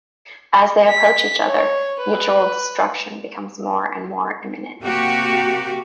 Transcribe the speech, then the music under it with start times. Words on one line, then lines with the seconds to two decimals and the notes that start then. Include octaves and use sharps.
As they approach each other, mutual destruction becomes more and more imminent.
0.88 B6
1.45 C#5
2.00 B4
4.82 C3 A#3 F#4 G4